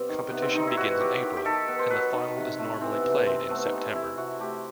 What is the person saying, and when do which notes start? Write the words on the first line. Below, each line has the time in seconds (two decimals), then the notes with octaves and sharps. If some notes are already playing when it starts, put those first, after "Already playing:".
Competition begins in April, and the final is normally played in September.
Already playing: C3 G3 B3 C4 G4
0.09 D#3
0.30 C3 B3
0.42 C4
0.54 D#3 D#4
0.67 E4
0.76 B3 F#4
1.00 F#3 G4
1.22 D#3
1.37 G4
1.45 D#3 A4
1.68 B3
1.79 C5
1.90 F#3 B4
2.13 D#3
2.36 C3
2.58 A3
2.81 E3 C4
2.97 B3
3.04 C3
3.12 B3
3.26 C3 C4
3.49 A3 B3
3.65 D#4
3.72 E3 C4
3.95 C3 E4
4.17 C3 F#4
4.39 A3 G4